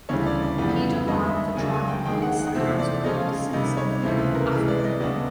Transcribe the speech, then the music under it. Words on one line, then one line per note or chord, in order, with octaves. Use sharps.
The pedal line of a triangle is sometimes called the "Simson line" after him.
D2 C#3 E3 G3 C#5
D5
D5
F2 C#3 E3 G3 B3
D#2 D3 G3 D#5
E5
C#2 C#3 F#3 A#3 D4 G#5
G#5
G5
D#2 D#3 G#3 G5
F#5
F#5
E2 C3 F3 A3 C4 E5
D5
C#3 F3 A3 C#4 F4 D#5
C3 D#3 G3 D#5
C#5
C#2 C3 E3 A3 C4
B4
A#4
C3 E3 G#3 B4
D5
D5
D#5
D2 C#3 F#3 B3 D4